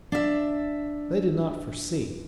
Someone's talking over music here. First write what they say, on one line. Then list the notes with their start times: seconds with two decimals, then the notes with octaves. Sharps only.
They did not foresee....
0.12 D4 E5